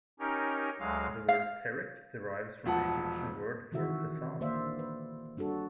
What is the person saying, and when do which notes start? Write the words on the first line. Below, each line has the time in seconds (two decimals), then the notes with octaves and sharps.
The word "serekh" derives from the Egyptian word for "facade".
0.19 C#4 D#4 G4 A#4
0.80 D2 F#3 G#3 F5
1.29 F5
2.65 E1 F3 F#5 A5
3.72 C3 D#3 E3 E4 F#4 E5
4.41 D3 A#3 C5 D5 E5 F5
4.79 B4
5.37 G3 D4 F#4 A4